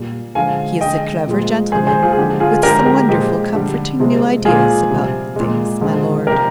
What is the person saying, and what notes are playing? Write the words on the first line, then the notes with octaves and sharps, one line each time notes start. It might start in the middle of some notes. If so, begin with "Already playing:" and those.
He is a clever gentleman with some wonderful comforting new ideas about things, my lord.
Already playing: A#2 G3
D3 F3 G#3 F5 G#5
D3 G#3 D#5 G5
A#2 F3 G#3
C3 F3 G#3 G#4 C5
G#4 C5
F4 G#4
G#4
D3 F3 G#3 G4
F4 G#4
D3 G#3 G4 A#4
G4 A#4
A#2 F3 G#3 G4
D3 G3
C3 F3 G#3
A#2 F3 G#3 F4 G#4
C3 G3
A#2 G#3
D3 F3 G#3
C3 F3 G#3 G4 A#4